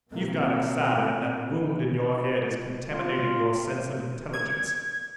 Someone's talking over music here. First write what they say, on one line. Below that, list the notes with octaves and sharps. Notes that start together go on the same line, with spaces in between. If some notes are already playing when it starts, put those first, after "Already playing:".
You've got excited, and that wound in your head is contaminating your sense of intelligence.
B2 A#3 C4
F4
G#6